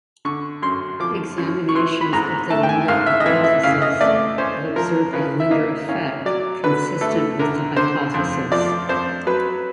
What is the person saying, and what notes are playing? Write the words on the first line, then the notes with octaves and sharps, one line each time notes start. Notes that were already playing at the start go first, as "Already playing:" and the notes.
Examinations of the Linder hypothesis have observed a "Linder effect" consistent with the hypothesis.
D3 C#6
F#2 C6
F3 D6
F#2
C#6
E3 C6
B5
G#2 A#5
A3 A5
G5
G#5
G#2 F5
E5
D#5
E3 E5
E5
C#3 F5
D#5
A3 D5
C#4 C5
F3 A#4
C#3 B4
E5
A#3 D#5
C#4 F5
F#3 D5
D3 B4
A3 A4
D3 A#4
D3 C5
F2
F3 D5
F2 C5
F#3 B4